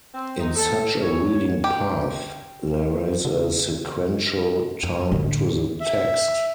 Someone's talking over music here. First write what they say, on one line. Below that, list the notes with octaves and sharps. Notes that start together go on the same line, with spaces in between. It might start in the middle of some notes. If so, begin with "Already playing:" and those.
In such a reading path, there is a sequential time to the text.
C4
D#4
A4
C#5
G4
C#3
F2
A2 D3
E5